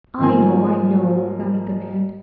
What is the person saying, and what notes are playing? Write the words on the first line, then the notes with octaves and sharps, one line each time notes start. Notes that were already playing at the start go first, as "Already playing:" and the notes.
"I know, I know," nodded the man.
G#2 F3 A#3 G#5